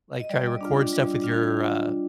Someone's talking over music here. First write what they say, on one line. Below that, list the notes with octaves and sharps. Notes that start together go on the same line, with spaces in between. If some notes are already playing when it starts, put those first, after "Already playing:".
like try to record stuff with your, uh,
D#5
G3 D5
D4 F4
G3
D4 F4